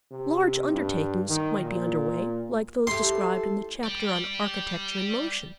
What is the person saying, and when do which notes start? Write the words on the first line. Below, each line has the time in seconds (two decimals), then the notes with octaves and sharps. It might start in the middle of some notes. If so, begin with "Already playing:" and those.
Large undertakings might be under way, like those described in the chapter on Architecture-in-Motion.
0.11 C3
0.73 G2
1.29 D#3
1.63 A#2
2.87 E4 G4 A4 C6
3.84 D5 G5